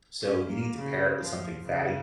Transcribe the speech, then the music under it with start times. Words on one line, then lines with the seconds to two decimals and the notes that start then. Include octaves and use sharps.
So, you need to pair it with something fatty
0.20 C#4
0.49 A#3
0.78 C#3
1.22 F3
1.66 C#3